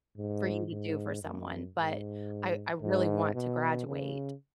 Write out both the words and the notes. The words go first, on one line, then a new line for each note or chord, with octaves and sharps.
for you to do for someone, but I I really want to graduate
G#2
G#2
F#2
G#2
G#2
B2
C#3